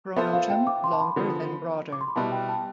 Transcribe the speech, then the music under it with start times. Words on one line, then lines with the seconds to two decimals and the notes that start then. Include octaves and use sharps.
Pronotum longer than broader.
0.16 B3 F4 A4 C5 E5
0.33 F5
0.50 G5
0.67 D6
0.84 C6
0.93 A5
1.00 B5
1.16 D3 F3 B3
1.93 D6
2.01 C6
2.08 B5
2.16 B2 G3 B3 E4 A5
2.32 G5
2.49 A5